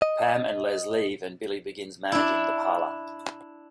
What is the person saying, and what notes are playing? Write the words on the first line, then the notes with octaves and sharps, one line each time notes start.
Pam and Les leave and Billy begins managing the parlour.
D#5
D4 E4